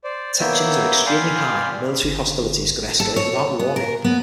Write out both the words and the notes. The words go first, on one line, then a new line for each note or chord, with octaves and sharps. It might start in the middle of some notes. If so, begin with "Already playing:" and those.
Tensions are extremely high and military hostilities could escalate without warning.
C5 D5
A#3 B3 C#5 E5 G5
D5 F5 G5 G#5 B5 C6
G1
A4
C#5
B3
A#4
B3